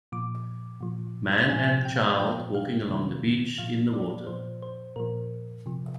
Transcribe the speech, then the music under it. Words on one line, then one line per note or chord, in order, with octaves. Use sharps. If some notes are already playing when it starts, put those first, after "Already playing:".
Man and child walking along the beach in the water.
A#2 F3 D6
A#2 F3
A#2 F3 G#5
G5
F5
G5
A#2 F3 G5
F5
C3 D#3
A#2 F3 F5
D5
A#2 F3 C5
C5
A#2 F3 A#4
C3 F3